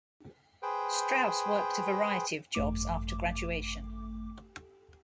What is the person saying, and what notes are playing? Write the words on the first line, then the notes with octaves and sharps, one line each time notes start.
Straus worked a variety of jobs after graduation.
G#4 B4 C5 G5
G#1 F#2 A3 D6